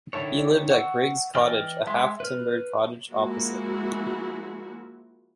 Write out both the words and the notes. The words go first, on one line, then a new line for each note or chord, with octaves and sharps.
He lived at Grigg's Cottage, a half-timbered cottage opposite.
D3 D#3 E4 A4 C#5
F#5 C#6 E6
E3 D5 D#5 G5 F6
G#3 E5 C6
B4 F6
F3 G#3 A#3 E4 F#4